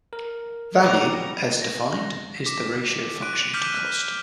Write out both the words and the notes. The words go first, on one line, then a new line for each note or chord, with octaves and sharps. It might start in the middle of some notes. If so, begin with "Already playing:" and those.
Value, as defined, is the ratio of function to cost.
A#4
B2 G3 A#5 D6
A#6
D6 B6
F#6 D7 D#7
D6 F6 G6 B6 D#7